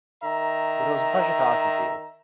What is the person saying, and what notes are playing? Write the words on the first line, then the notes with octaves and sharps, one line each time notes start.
but it was a pleasure talking to you.
D#3 E5 A#5